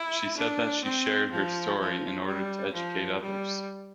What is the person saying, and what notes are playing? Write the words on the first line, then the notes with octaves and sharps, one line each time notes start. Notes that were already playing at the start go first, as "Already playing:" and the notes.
She said that she shared her story in order to educate others.
Already playing: E4
D4
C4
F3
F3
G3
F3
G3